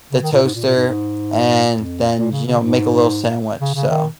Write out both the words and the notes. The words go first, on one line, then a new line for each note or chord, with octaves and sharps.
the toaster, and then, you know, make a little sandwich, so
C#3
D#3
A#2
G#2
A#2
A#2
G#2
G#2
F2
A#2
C#3
C#3
G#2
C#3
C#3
D#3